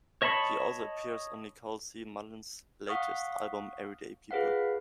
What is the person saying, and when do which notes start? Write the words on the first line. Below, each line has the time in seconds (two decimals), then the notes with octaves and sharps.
He also appears on Nicole C. Mullens' latest album, "Everyday People".
0.22 C#5 D#5 A5 B5 C#6
2.87 F5 F#5 C#6 D#6 F6
4.31 F4 G#4 B4 F5 F#5